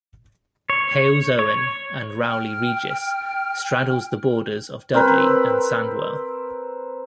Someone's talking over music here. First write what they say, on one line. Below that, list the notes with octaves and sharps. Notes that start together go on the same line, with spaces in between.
Halesowen and Rowley Regis straddles the borders of Dudley and Sandwell.
C#5
C#5
G5 F6
C4 A#4 B4